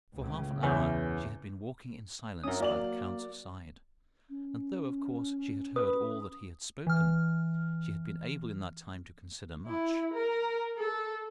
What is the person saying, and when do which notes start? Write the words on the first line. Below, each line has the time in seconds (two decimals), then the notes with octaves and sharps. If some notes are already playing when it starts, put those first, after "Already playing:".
For half an hour she had been walking in silence by the count's side; and though, of course, she had heard all that he had spoken, she had been able in that time to consider much.
0.14 C#2 A2 C#3
0.63 E2 E3 C#4 G6
2.44 F#2 C#4 D#6
2.60 F#3 A#3 D5 F#7
4.30 C#4
5.76 B4 D#6
6.87 E3 F6
9.66 E4
10.14 A#4
10.77 A4